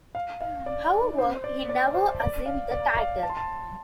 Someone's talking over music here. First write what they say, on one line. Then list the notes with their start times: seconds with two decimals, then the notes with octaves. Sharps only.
However, he never assumed the title.
0.15 F5
0.42 F5
0.66 D5
1.18 C5
1.44 D5
1.69 D5
1.94 C5
2.20 D5
2.46 F5
2.71 D5
2.97 F5
3.23 A5
3.30 C6
3.37 A5